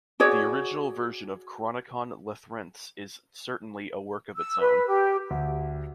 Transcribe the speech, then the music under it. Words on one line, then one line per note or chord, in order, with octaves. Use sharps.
The original version of "Chronicon Lethrense" is certainly a work of its own.
F#4 G#4 C#5 D5
E6
B4
G4
D2